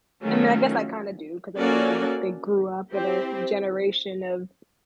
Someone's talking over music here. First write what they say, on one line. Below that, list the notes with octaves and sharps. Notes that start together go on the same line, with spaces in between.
I mean, I guess I kinda do, 'cause I mean they they grew up in a generation of
D#3 F#3 A3 C#4 F4
A#3 C#4 F#4 A4 D5
C4 E4 G4 C5